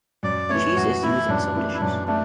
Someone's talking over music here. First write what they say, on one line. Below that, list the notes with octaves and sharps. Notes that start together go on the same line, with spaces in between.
Cheese is used in some dishes.
F#2 D5
E3 A3 C#5
F#2 F#4
E3 A3 E4
F#2 D4
E3 A3
E4
F#2 D4
A3 D4